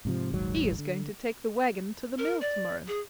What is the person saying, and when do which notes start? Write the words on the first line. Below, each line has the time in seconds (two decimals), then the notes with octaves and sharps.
He is going to take the wagon to the mill tomorrow!
0.05 G#2 C3 F3
0.32 D#1 G#1 G#2 F#3
0.78 D3
2.18 A#4
2.41 D5
2.88 G#4